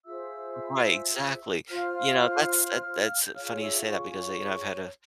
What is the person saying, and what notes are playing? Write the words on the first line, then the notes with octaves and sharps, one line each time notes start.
Right, exactly. You know, that's that that's funny you say that, because, a you know, I've had a,
F4 G#4 C5 E5 E6
F4 C5 F5 F6
G6
F4 G#4 C#5 F5 F6
E5 E6
C#5 C#6